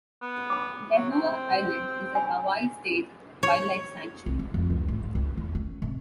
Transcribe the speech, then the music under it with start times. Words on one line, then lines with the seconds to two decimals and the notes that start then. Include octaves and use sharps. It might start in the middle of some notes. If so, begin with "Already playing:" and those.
Lehua Island is a Hawaii State Wildlife Sanctuary.
0.22 B3
0.50 B5 D6
0.94 F#3
1.10 C4
2.15 G#5 B5
3.43 C#5
4.26 C2
4.39 C#3
4.54 F2
4.70 C#2
4.88 A2
5.01 F#3
5.15 C#2
5.37 E2
5.55 C#4
5.82 C3